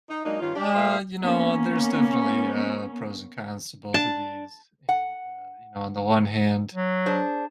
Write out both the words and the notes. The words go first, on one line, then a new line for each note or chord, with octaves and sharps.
Uh, you know, there's definitely, uh, pros and cons to both of these, and, uh, you know, on the one hand,
D#4
F#3 G#3 A#3 D4 D#4
G2 D#3 C#4 F4
D4 G4 D5
A#2 A3 G#4 C5 E5 F5
A#3 B3 C#4
D4 A5
F#5
F#3
D4 G#4 C5